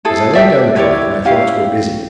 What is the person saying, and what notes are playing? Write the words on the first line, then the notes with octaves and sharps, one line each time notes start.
As I went down the drive, my thoughts were busy.
E4 G#4 A4
D5 E5 G5
E4 G4 C#5 D5
C#4 E4 G4 F5